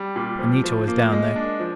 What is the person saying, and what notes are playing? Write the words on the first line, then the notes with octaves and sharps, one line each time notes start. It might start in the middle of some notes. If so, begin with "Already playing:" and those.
Anita was down there.
Already playing: G3
A#2
F3
F3
A#3
G#3
D4
F3